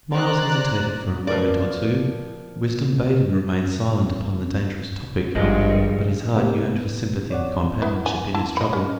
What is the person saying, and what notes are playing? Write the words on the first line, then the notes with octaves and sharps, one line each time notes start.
Myles hesitated for a moment or two; wisdom bade him remain silent upon the dangerous topic, but his heart yearned for sympathy and companionship in his trouble.
C5 D5 A#5 F#6
F3 A#4 B4 D5
G#1 G2 F3 G#3
C3 A#3 G4
B3
C#5 D5 F#5
B3 E4
G#5
E4 A5
D#5 B5
C#4